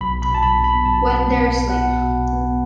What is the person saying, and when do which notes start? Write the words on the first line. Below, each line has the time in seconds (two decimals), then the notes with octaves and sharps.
When They're Asleep.
0.01 B1 B5
0.22 B2 B5
0.34 A5
0.43 B1 B5
0.64 B3 B5
0.85 B1 A5
1.06 B2
1.27 B1
1.49 B3
1.69 B1 F#5
1.90 B2
2.12 B1
2.33 B3